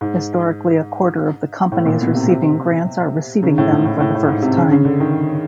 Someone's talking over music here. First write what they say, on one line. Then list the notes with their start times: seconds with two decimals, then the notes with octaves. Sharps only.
Historically a quarter of the companies receiving grants are receiving them for the first-time.
0.01 G#2
1.72 A2
1.86 A#2
2.01 B2
2.15 C3
2.29 C3
3.43 C#3
3.58 A2
3.71 G#2
3.85 A2
4.00 A2
4.15 A2
4.29 G#2
4.42 C3
4.57 C#3
4.71 C#3
4.85 D3
5.00 D#3